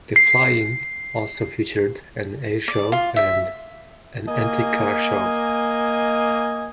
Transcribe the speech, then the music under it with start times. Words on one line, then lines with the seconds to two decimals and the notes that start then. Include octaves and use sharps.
The fly-in also featured an air show and an antique car show.
0.16 C7
2.68 D5
2.92 F4
3.16 E5
4.28 A#3 D#5 G#5